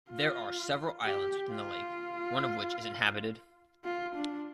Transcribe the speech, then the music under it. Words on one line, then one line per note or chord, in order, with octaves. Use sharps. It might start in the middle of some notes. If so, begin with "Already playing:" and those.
There are several islands within the lake, one of which is inhabited.
F4
G4
F4
F4
D4